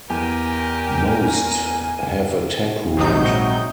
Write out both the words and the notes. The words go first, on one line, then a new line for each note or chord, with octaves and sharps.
Most have a taproot.
E2 G4 A#4 G#5
A#1 G#2 C3 F#3 D#4 G6